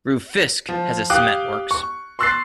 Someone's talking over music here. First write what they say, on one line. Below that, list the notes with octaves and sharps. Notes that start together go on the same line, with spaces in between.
Rufisque has a cement works.
F3
G4 F5 G5 D6 D#6 F#6
C#6
C6 C#6 E6 F#6 A6 C7